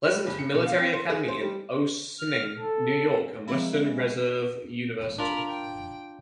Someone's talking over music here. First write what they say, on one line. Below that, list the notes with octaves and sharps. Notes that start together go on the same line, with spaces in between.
Pleasant Military Academy in Ossining, New York and Western Reserve University.
G3
F#1
C#7
B2
F5
C4
C5
G#4
C5
G3
F6
A4
E3 F3 G#3 A#3 C4 E4
D4 F4 A#4 B5
G5